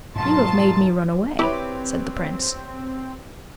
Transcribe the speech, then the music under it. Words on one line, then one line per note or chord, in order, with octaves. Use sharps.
'You have made me run away,' said the prince.
G#2 B2 D#3 F#3 F4 A5 C6
C4 E4 G4 B4 C#5 D6